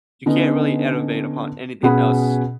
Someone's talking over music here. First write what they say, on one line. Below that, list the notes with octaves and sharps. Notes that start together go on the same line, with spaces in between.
You can't really innovate upon anything else
D3 B3 C#4 D#4
B2 C#4 G#4 F#5 B5